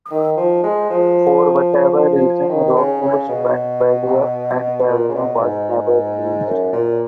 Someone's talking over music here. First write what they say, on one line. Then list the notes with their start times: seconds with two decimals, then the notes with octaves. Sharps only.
For whatever reason Rockwoodz went belly up and the album was never released.
0.11 D#3
0.37 F3
0.63 G#3
0.90 F3
2.49 D#3
2.76 C#3
3.01 C#3
3.29 B2
4.88 A#2
5.09 C#3
5.14 B2
5.41 G#2
6.46 F#2
6.73 A#2